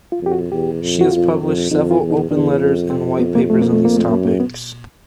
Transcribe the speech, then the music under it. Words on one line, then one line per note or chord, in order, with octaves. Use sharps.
She has published several open letters and white papers on these topics.
F4
F2 G4
F#4
E2 G4
F2
F#4
F2 F4
F2
F2 D#4
F4
E2
D#4
E2 D4
F2
C4
B3
A#3
A3
A#3
A3
A#3
A3
F#2 A#3
A#3
B3